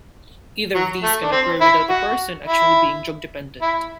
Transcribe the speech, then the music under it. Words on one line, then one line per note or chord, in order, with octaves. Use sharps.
Either of these can occur without the person actually being drug-dependent.
F#3
A3
D4
C4
E4
F#4
E4
E4